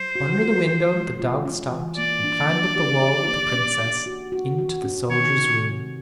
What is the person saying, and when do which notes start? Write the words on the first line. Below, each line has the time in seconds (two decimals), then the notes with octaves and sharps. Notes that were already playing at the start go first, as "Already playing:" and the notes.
Under the window the dog stopped and climbed up the wall with the Princess, into the soldier's room.
Already playing: F#3 C5
0.15 F#4
0.42 F4
0.67 E3
0.94 G#3
1.19 F4
1.45 C#4
1.72 E3
1.97 A#3 D5
2.24 D4
2.50 D4
2.76 G4
3.02 G4
3.28 A#3
3.54 C#4
3.80 C#4
4.06 F#4
4.32 F#4
4.58 F#4
4.84 C#4
5.10 D#3 C#5
5.36 C3
5.62 C3